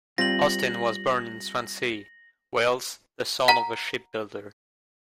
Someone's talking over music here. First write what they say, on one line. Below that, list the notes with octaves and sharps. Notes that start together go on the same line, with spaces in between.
Austin was born in Swansea, Wales, the son of a shipbuilder.
G3 C4 F4 A#6 F#7
F#5 A#5